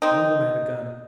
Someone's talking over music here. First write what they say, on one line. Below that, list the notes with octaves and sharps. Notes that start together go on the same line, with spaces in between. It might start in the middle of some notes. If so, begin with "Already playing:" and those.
One of them had a gun.
C4 D#4